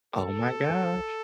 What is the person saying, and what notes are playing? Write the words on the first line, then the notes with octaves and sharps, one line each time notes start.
Oh my gosh,
A4